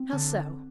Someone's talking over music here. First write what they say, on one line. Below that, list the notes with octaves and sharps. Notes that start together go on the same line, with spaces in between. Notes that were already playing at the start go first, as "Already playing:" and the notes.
"How so?"
Already playing: C4
D3